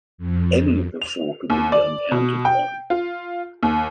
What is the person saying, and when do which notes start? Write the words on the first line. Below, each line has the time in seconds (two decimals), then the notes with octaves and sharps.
Any of the four could be the uncounted one.
0.18 F2
1.02 F7
1.50 D#2
1.72 D5
2.11 B2
2.45 G5
2.90 F4
3.63 D#2